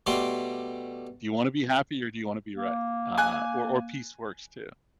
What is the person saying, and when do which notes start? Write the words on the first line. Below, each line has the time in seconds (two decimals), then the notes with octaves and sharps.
Do you wanna be happy or do you wanna be right? Uh, or or peace works too,
0.07 B2 G3 A3 A4 C6 D6
2.55 A#3
3.18 G#5 F#6